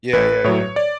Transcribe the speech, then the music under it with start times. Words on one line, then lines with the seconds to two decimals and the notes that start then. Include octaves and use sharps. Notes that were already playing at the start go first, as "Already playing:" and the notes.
Yeah, yeah, yeah.
0.13 A1 B4
0.44 A2 F#3 C#5
0.76 D5